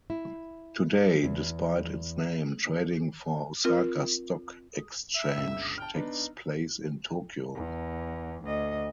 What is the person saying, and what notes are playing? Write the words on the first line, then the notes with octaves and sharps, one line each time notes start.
Today, despite its name, trading for Osaka Stock Exchange takes place in Tokyo.
E4
E2
C4 F4 A#4
E5
G1 C#2 E6
G5 A5 F6
B3 D4 D#4
E2
D2 D#5